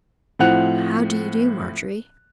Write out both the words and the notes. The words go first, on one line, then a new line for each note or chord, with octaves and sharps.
'How do you do, Margery?
A2 F3 C4 F#5 F#6 F7